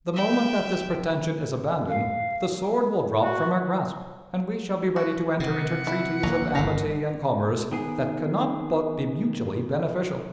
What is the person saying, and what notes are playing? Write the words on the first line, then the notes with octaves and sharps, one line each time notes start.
The moment that this pretension is abandoned, the sword will drop from our grasp, and we shall be ready to enter into treaties of amity and commerce that can not but be mutually beneficial.
E5 G5
F5
F#4
F#4
C3 F#5
E4
A#1 F#3 A#5
G1 A#2 A#5
D#3 B3 G#4